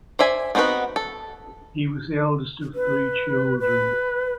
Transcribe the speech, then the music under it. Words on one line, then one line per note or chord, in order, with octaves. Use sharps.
He was the eldest of three children.
C5 D5 E5 G#5
B3 C4 D#4 F#4 B4
A4
B4
B4